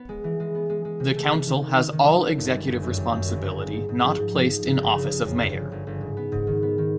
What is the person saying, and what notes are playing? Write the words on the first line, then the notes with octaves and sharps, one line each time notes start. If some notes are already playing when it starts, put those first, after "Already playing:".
The Council has all executive responsibility not placed in office of mayor.
Already playing: B3
G#3
E3
G#3
B3
G#3
G#3
C3
A3
A3
D#3
D#3
D#3
D#3
F#3
A3
G1
G3
G1
F#2
G3
F#2
G1
G1
G#2
G#2
G#2
F3
G#2
F3
G#2
G#2
G1
C#3
C#3
F2
G1
C#3
G1
G1
G#2
B3
G#2
D#3
B3
D#3